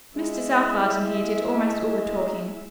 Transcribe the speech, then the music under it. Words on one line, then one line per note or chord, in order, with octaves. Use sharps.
Mr. Southard and he did almost all the talking.
G#3 E4 E5